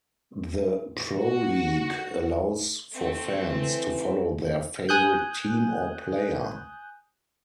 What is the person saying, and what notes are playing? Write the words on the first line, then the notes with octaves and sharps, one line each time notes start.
The Proleague allows for fans to follow their favorite team or player.
F#4
A3 C4
E3
G#5 D#6 F#6 G6